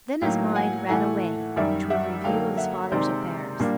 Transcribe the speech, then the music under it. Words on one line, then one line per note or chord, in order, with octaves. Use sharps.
Then his mind ran away to a review of his father's affairs.
A2 F#3 A#3 D#4 F5 G5
F#5 G#5
A2 E3 A3 F#5 G#5
F#2 D#3 G3 D5 E5
E5 F#5
D3 F#3 A#3 D#4 F5 G5
E5 F#5
C3 D#3 G#3 C4 D#4 C5 D5
A#2 G3 A#3 D4